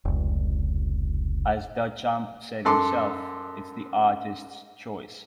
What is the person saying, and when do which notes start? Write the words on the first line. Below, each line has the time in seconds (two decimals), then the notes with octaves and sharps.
As Duchamp said himself, it's the artist's choice.
0.05 F1 C#2
2.65 F#2 A4 C6 D6